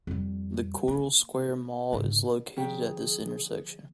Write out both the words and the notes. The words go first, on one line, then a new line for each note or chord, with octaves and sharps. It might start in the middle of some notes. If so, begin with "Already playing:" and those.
The Coral Square mall is located at this intersection.
F2 G3
A#3
G#2 C#3
D3 F3 A#3 C#4 G#4 G5